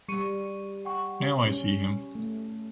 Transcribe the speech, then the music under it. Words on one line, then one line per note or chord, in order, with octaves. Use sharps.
Now I see him.
G3 C#6 C#7 D#7
F#5 G5 C#6
G4
C#4
A3